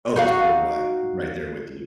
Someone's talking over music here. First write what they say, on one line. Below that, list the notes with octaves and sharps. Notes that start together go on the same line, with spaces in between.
Oh, so do I, right there with you.
D#4 F#4 F5